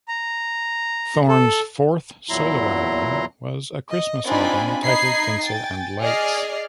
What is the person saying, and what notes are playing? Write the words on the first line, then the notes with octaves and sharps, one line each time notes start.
Thorn's fourth solo album was a Christmas album entitled "Tinsel and Lights".
A#5
A4
E2 A#2 F#3 E4 A#5 C6
D#5
C4 D4 D#4 F4 G#5 B5
D#4 D#5 B5 G#6 C7
G5 G#5 A6
G#4 D5 D#5 G#5 F6 C7